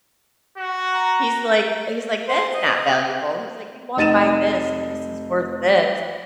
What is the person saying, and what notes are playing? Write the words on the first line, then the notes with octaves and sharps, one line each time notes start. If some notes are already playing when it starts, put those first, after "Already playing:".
he's like he's like, "That's not valuable." He's like, "You walk by this, and this is worth this,
F#4
A#5
C5
D#5
F1 D#4 A6 D#7 E7